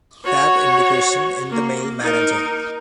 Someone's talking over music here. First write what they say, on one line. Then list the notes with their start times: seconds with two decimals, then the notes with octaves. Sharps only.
Tab Integration in the mail manager.
0.24 F#4 C#5
1.50 A#3
2.00 D#4 A#4